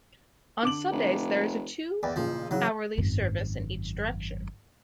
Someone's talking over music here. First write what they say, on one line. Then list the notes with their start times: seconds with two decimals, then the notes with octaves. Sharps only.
On Sundays, there is a two-hourly service in each direction.
0.63 D3 D6 F#7
0.92 F1
2.03 E2 B4 D5 G5
2.16 A1 A#2 C#3 F3
2.51 C#3 E3 F#3
2.98 G#1 F#2